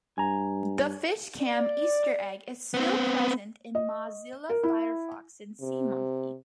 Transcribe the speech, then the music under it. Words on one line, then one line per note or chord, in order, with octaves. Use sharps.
The Fishcam easter egg is still present in Mozilla Firefox and SeaMonkey.
G2 G#5 A#5
D5
B3 C4
D#5
A#4
E4
C3